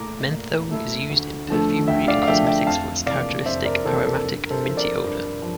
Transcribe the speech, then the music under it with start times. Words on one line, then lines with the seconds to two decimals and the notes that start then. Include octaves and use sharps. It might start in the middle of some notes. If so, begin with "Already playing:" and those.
Menthone is used in perfumery and cosmetics for its characteristic aromatic and minty odor.
Already playing: A#2 A3 E4 A#5 D6
0.31 A#2
0.70 A3 E4
1.10 D2
1.48 D3 F3 A3
1.88 D2 E5 G5
2.08 D5 F5
2.23 F5
2.27 D3 F3 A3 E5 G5
2.47 E5 G5
2.67 F2 F5 A5
3.06 C3 E3 A#3 D5 F5
3.46 F2 C5 E5
3.65 A#4 D5
3.85 C3 E3 A#3 A4 C5
4.04 A4
4.25 G2
4.46 A#4
4.50 A4 C5
4.64 F3 C4 E4
4.77 A#4 D5
5.03 G2
5.42 F3